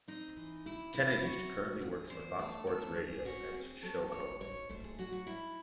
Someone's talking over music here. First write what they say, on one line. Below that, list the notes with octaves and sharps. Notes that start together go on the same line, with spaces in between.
Kennedy currently works for Fox Sports Radio as show co-host.
C4 D#4
E3
C3 E4
C3 E4
F#3 F#4
C3
E2 G#4
E2 C5
A3 A4
D#3 A4
F#2 G#4
G#4
C#4 F#4
C4 G#4
F#3 A4
G#2 C#5
G#2 C#5
A3 C5
G#4
F#3 F#4
F#4
G#2 E4